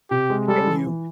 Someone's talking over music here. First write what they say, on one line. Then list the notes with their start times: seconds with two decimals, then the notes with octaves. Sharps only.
and you
0.10 C3 G4
0.30 G#3
0.48 G3 A4
0.67 E3
0.87 E3